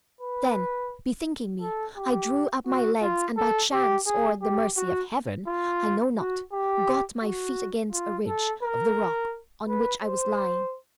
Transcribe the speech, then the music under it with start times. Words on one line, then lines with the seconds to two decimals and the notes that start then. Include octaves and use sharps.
Then, bethinking me, I drew up my legs and by chance or the mercy of Heaven, I know not, got my feet against a ridge of the rock on which I was lying.
0.21 B4
1.61 A4
1.96 G4
2.67 F#4
3.01 F4
3.37 A4
3.72 G4
4.07 G#4
4.42 G4
4.77 F#4
5.47 F4
6.17 F#4
6.52 G4
7.22 F#4
7.92 F4
8.28 A4
8.63 A#4
9.68 B4
10.03 C5